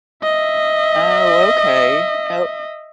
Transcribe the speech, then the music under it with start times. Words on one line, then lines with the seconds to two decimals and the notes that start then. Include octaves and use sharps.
Oh, okay. Oh,
0.23 D#5 E5